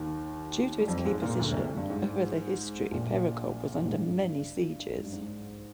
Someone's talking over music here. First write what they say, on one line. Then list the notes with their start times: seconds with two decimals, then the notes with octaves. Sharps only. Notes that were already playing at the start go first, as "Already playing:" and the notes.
Due to its key position, over the history Perekop was under many sieges.
Already playing: D#2 D#3
0.80 G3
0.88 F2 F3
1.05 G#2 G#3
1.21 A#2 A#3
1.39 D2 D3
1.51 C2 C3
1.77 G2
1.90 G#2
2.91 A#1 A#2
3.78 A#2
3.86 G#2
3.93 G2
4.95 G#2
5.04 G2
5.13 G#2